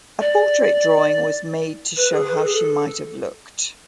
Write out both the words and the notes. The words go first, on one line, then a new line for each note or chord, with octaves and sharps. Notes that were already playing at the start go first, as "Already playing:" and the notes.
A portrait drawing was made to show how she might have looked.
D5
B4
G#4
B4
A4
G#4
A4